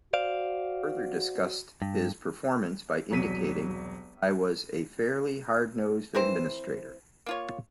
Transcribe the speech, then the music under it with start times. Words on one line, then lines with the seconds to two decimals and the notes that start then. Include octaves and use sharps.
He further discussed his performance by indicating, I was a fairly hard-nosed administrator.
0.13 F#4 C5 D5 F5
1.82 G2
3.10 E1 C2 F#3 B6 D#7
6.15 E3 C4 A#4 C5
7.26 A#3 F4 C#5